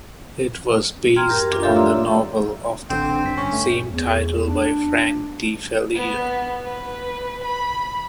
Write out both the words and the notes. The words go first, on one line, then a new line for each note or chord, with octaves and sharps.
It was based on the novel of the same title by Frank De Felitta.
G5 A#5 C6 F6 G#6
F#2 G4 A#4
E3 D4 F4
F4 G4 A4 C#5 E5 F5
D5 E5 A#5 C6 D6 E6
A1 D3 C4
G2 B6
C#4
A3
E2
D4
B3
B4
B5